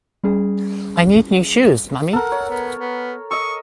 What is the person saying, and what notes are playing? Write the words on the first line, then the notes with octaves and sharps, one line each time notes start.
I need new shoes, mommy!
G3 C#4 G#4
A4 A#4 F#5
C#5
B3
B3
D#5 C#6 D#6 E6